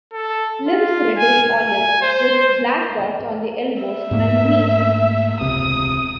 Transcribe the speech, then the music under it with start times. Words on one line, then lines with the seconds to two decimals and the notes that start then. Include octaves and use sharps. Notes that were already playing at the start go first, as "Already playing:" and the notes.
Limbs reddish olive, with black dots on the elbows and knees.
0.13 A4
0.67 F4
1.17 G#5
1.57 G#5
2.01 C5
3.82 E5
4.11 G#2 A3 A#3
5.41 E1 C#2 C3 D#6